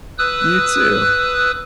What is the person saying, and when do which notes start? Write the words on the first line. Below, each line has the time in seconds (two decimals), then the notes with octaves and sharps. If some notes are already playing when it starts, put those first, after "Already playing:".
You, too.
0.18 B4 D#6 E6 F#6